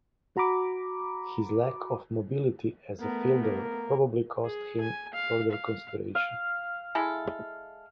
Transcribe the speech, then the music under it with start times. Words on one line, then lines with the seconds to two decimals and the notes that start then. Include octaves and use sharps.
His lack of mobility as a fielder probably cost him further consideration.
0.37 F#4 A#5 B5 D6
3.01 A3 B3 A#4
3.42 A#3 A#4
4.45 G#4
4.80 G#5
5.14 F5
5.51 F5
6.15 F5
6.95 G#3 E4 A4